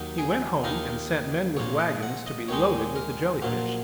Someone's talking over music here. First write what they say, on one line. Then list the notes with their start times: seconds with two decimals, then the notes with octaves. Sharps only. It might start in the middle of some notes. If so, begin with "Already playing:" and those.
He went home, and sent men with wagons to be loaded with the Jelly-fish.
Already playing: D#2 D#3 F#3 D#4
0.18 G#4
0.64 D#2 D#3 A#3 D#4 A#4
1.57 A#1 A#2 A#3 C#5
1.80 D#5
2.03 F#5
2.26 D#5
2.48 D#2 D#3 G#3 D#4 C#5
2.96 A#4
3.42 A#1 A#2 F#3 A#3